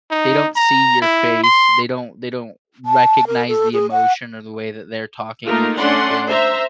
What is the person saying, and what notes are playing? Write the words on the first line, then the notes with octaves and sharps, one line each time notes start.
they don't see your face. They don't they don't recognize the emotion or the way that they're talking makes you feel,
D#4
A#5
E4
C6
A5
A#4
A4
G#4
F#5
A3 A#3 D#4 F4 A#4
A3 C#4 D4 D5 F#5 C6
C5 E5 A#5